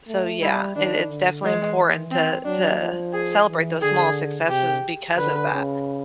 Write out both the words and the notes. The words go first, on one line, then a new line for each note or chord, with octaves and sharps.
so yeah, i it's definitely important to to celebrate those small successes because of that.
A3
G3 E4
D#3 D4
D3
E3 G#3
C4
F#3 D4
F3
G#4
E3
D3 G#4
C3 G4
D3 B4
C#3